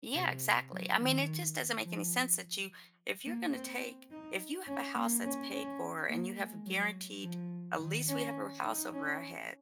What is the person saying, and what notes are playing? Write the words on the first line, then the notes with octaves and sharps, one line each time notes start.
Yeah, exactly. I mean it just doesn't make any sense that you if you're gonna to take if you have a house that's paid for and you have guaranteed at least we have a r house over our heads,
C3
F#3
D#3
F3
A#3
C4
D#4
C#4
A#3
C#4
C#4
A#3
G#3
F#3
F3
D#3
C#4
D#4
C#4